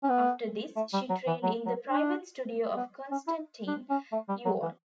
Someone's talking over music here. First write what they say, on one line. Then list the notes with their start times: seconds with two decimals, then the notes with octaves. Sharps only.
After this, she trained in the private studio of Konstantin Yuon.
0.04 C#4
0.10 B3
0.77 A3
0.93 G3
1.10 F#3
1.27 E3
1.43 F#3
1.66 F#3
1.88 D4
2.77 B3
3.12 C#4
3.28 E4
3.68 D4
3.90 C#4
4.13 A3
4.29 G3
4.46 F#3
4.62 E3